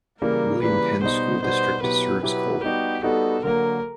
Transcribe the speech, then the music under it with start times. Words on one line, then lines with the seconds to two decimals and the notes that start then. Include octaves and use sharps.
William Penn School District serves Colwyn.
0.21 C#3 E3 G3 A#3 A#4
0.61 C#3 E3 G3 A#3 B4
1.02 B2 G3 B3 D#4 C5
1.42 B2 G3 B3 D#4 C5
1.82 B2 F#3 B3 E4 G4 B4
2.23 B2 F#3 B3 E4 G4 B4
2.63 G3 B3 D#4 F#4 G4
3.03 G3 B3 D#4 F#4 A4
3.43 D3 F#3 A#3 A#4